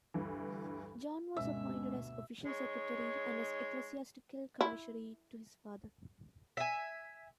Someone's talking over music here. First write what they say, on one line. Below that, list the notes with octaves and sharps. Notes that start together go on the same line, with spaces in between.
John was appointed as official secretary and as ecclesiastical commissary to his father.
D2 G2 E3
D2 G2 B2 G#3 C#4 E5
G#3 D#4 C#5
E4
E5 G#5